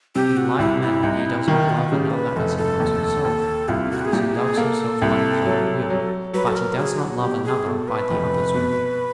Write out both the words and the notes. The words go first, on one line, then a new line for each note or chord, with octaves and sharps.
In like manner he does not love another as he loves himself, because he loves himself by his own will; but he does not love another by the other's will.
C3 G4
F#4
C2 E4
E4
C2 D#4
E4
D#3 A#4
F#4
F4
F#4
C#3 G4
C5
B4
F1 A4
A4
D#2
D#2
C2 F4
F#4
G#4
A#2 G4
G#4
A#3 A4
C2
F#3
F#3
F#3 B4
A4
A#4
F#3 G#4
F#4
B2 G4
G#4
B2 A4
B4
F1
B2